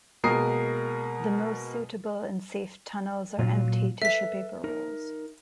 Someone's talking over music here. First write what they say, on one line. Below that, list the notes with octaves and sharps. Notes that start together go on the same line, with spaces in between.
The most suitable and safe tunnels are empty tissue paper rolls.
B2 G#3 A#3 A#4 D#6 C7
A#2 F#3 F4
A4 B4 E5 B6
D#4 A#4